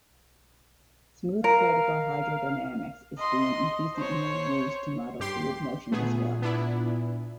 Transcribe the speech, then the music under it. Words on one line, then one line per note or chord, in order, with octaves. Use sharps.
Smoothed-particle hydrodynamics is being increasingly used to model fluid motion as well.
A#4 F5
D#5 C6
C5 C#5
G2 G4 C6
A#2 A3 B3 G#4
B3 D4 E4